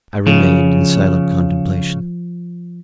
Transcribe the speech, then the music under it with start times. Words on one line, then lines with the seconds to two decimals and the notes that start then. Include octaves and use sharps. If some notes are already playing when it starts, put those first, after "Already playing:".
I remained in silent contemplation.
0.27 C#3 F3